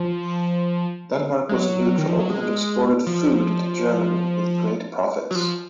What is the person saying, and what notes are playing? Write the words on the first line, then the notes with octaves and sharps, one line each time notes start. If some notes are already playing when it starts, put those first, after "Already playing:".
Denmark was neutral and exported food to Germany with great profits.
Already playing: F3
G#3
F#3
D#3
F3
F#3
G#3
F3
F#3
F3